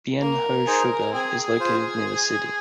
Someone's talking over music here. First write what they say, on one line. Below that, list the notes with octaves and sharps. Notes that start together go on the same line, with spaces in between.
Bien Hoa Sugar is located near the city.
A#3 A#4
D#4 G#4 C5 G#5
C4 G#4
F4 C5